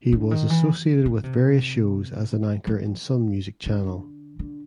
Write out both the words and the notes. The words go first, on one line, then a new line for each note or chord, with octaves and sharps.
He was associated with various shows as an anchor in "Sun Music" channel.
D3
D#3
E3
C#3
C3
F3
D3
D3